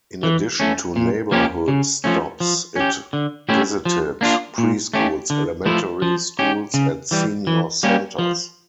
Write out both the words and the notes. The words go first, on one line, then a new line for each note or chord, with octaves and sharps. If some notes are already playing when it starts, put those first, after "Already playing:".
In addition to neighborhood stops, it visited preschools, elementary schools and senior centers.
E3
A3 C#4
A#2
F3 A#3 C#4 G4
C#3
F3 A3 C#4
F3
C#4 G4
D3
A3 C#4 E4 G4
F3
A#3 D4 F4
A#2
A3 C#4 G4
D3
F3 A3 E4
F3
C#4 G4
C#3
E3 G3
E3
G3 A#3 C#4 G4
F3